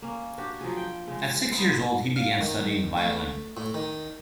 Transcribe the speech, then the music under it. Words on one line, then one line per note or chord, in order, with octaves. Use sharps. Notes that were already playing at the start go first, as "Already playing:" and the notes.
At six years old, he began studying the violin.
A#3 C#4
D4 F#4 G4
F3 F#3 G#4
G5
C#3 G#3
B3 C4 D#4 E4
F5
D#3
A3
A2
D#3